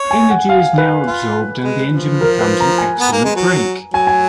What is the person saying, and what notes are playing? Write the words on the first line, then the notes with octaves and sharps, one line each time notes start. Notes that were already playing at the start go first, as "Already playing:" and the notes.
Energy is now absorbed and the engine becomes an excellent brake.
Already playing: C#5
G#5
F#5
F5
B4
F4
G#3
F3
A#4
B4
A#5
G#5
B3
A#3
G#3
F#3
F#3 G#5
G#5